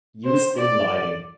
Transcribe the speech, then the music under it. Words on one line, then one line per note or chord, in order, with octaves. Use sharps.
Use dim lighting.
C5
D5